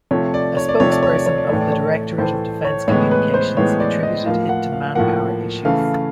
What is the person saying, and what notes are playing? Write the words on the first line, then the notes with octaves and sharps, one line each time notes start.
A spokesperson of the Directorate of Defense Communications attributed it to manpower issues.
C3 F3 A3 C#5
D5
C#5
D5
C3 F3 A3 C#5
D5
C#5
D5
C#5
D5
A2 E3 A3 C#5
D5
C#5
A2 E3 A3 C5
C#5
A2 E3 G#3 B3 C#5
B4
C5
A2 E3 G#3 B3 C#5
D5
D#5
A2 F3 A#3 F5
F#5
F5
A2 F3 A#3 F#5
C#3 E3 A3 F5